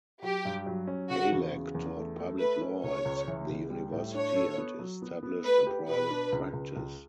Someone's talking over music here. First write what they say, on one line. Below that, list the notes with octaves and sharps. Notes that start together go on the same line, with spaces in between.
Alak taught Public Law at the university and established a private practice.
F#3 G4
G2
F#3
C#4
C#3 F#4
E2
C#3
E2
A3
A3
A3 B4
C#4
C#2 C#5
C#2
E3
C#2
G3
A2
D4 C#5
A4
B3
F#3
B3
B3
A3 B4
G4
B2 B4
D4
C#2
C#2
C#2